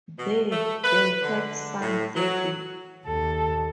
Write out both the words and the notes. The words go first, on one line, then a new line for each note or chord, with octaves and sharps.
There, they had son David.
B2
A3
B4
D3
A2
F#3
D#2 A4